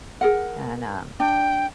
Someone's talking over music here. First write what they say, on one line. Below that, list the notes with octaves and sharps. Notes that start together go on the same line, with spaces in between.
and, um
G#4 A#4 F#5
D4 G5